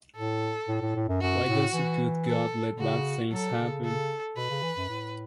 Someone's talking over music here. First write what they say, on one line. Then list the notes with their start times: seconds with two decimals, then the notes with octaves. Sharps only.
Why does a good God let bad things happen?
0.16 A2 A4
0.68 A2
0.81 A2
0.95 A2
1.09 F#2
1.21 F#2 F#4
1.47 A2
1.74 E3
2.27 A4
2.79 C#3 F#4
3.32 F#3 A4
3.58 C#3
3.85 A4
4.37 B2 B4
4.51 C#3
4.63 E3
4.77 F#2
4.89 A2